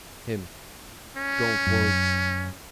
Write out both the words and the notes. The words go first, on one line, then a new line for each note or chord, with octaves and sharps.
HIM: Don't worry.
C#4
F#2